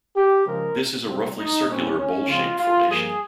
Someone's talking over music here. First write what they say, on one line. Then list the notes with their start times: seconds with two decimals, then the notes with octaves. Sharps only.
This is a roughly circular, bowl-shaped formation.
0.16 G4
0.46 C#3 F3 G#3 A#4
1.06 C3 G3 C4
1.37 D#4
1.67 A#2 G3 C4 C#4
1.98 C#4
2.27 C#3 F3 G#3 C4 F4
2.58 F4
2.88 G2 F3 A#3 G#4